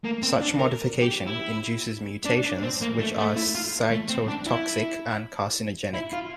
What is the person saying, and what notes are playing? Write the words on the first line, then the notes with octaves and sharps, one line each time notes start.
Such modification induces mutations, which are cytotoxic and carcinogenic.
A#3
C4
D4
A#4
G4
E4
D4
D4
C4
A#3
A3
A3
E4
F4
A3
C4
D4
E4
E4
F4